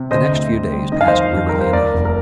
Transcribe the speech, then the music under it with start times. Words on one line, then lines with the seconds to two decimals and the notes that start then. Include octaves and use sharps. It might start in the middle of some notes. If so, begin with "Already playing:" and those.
The next few days passed wearily enough.
Already playing: C3
0.11 D3 C5 D#5
0.32 D2
0.52 D2
0.72 G3
0.92 D#3 D#5
1.01 F5
1.08 F2 C5 D#5
1.33 F2
1.49 G3 A#4
1.61 C5
1.73 D#2 A#4 D5
1.93 F1
2.05 A#4